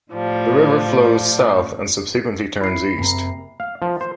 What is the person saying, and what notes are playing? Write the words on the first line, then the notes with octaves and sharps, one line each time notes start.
The river flows south and subsequently turns east.
A2 F3 G3
E4 B5 C7
F#1 C3 A#5
F5
F3
C5